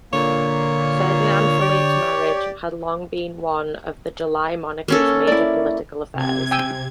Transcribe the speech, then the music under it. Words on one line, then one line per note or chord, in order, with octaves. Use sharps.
Ferdinand Philippe's marriage had long been one of the July Monarchy's major political affairs.
A#2 D3 A#3 C#5
G4 D5
A#3 C#4 A4
E4 D5
C3 G#6
G5 G#5 E6